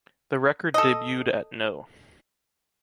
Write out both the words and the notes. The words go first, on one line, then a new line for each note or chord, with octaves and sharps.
The record debuted at no.
A4 D#5